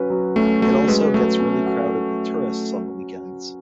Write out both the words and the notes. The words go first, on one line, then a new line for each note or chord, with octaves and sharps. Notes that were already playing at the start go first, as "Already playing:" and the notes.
It is also gets really crowded with tourists on the weekends.
Already playing: F#3 C#4 F#4 B4
F#3
A3 C#4
A3 F#4
G#3 B4
F#3 A3
C#4
F#4